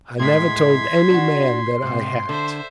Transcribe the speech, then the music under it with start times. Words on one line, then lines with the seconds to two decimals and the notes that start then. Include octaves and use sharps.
"I never told any man that I had it."
0.19 A2 G#3 C6 G#6 B6
1.10 D4 F#4
1.82 G#2 C3
2.29 D3 C5 E5